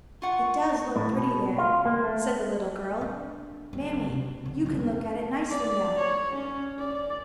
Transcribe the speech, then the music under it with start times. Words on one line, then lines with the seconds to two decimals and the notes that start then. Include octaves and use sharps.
'It does look pretty there,' said the little girl; 'mammie, you can look at it nicely now.'
0.22 F4 F#5 C#6
0.96 A2
1.13 B2
1.58 F4
1.86 A#3
2.04 A3
3.01 D4
3.73 F#1 F#3
4.08 C3 E4
4.46 D3 C4
4.62 C2 F2
5.50 D5
5.98 C#5
6.34 C#4
6.79 D5